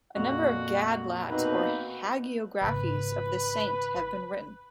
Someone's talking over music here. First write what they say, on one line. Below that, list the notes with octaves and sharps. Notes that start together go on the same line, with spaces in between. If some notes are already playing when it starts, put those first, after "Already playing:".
A number of "gadlat" or hagiographies of this saint have been written.
F2 A#2 F#4
B2 A#3 C4 D#4 B4
G#1 C#3 B4